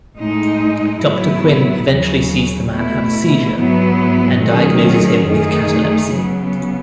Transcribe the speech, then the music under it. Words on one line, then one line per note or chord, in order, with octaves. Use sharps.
Doctor Quinn eventually sees the man have a seizure and diagnoses him with catalepsy.
A2 G#3 D#4
A2 F#3 B3 E4
D#2 C#3 F#3
B2 A3 E4
G#2 F#3 B3 E4
D#3 F#3 A3 C#4 G#4
F#2 D#3 A3 D#4 G#4
C#3 F#3 B3